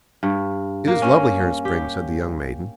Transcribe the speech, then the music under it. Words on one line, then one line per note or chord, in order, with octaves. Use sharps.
"It is lovely here in spring!" said the young maiden.
G2
A#3
C#4
G4